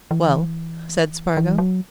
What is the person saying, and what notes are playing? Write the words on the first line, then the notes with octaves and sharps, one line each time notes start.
"Well?" said Spargo.
E3
E3
F#3